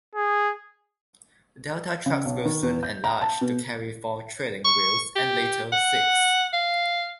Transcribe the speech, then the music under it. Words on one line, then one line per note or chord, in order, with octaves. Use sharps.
Delta trucks were soon enlarged to carry four trailing wheels, and later six.
G#4
C#3
B1
D#3
E2
G6
A#5
A5
B2
C#6
G4
F#5
F5